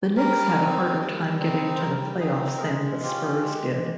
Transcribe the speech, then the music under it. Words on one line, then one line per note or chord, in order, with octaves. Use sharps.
The Knicks had a harder time getting to the playoffs than the Spurs did.
G3 A#4
C4 D#4
G3
C4 D#4
C5
G3 A#4
C4 D#4 G#4
A#4
G#3 G#4
C#4 F4 G4
G#3